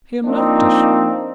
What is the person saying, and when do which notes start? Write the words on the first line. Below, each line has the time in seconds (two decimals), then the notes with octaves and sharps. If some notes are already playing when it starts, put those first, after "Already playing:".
He unlocked it.
0.25 F3 A#3 C4 D4 D#4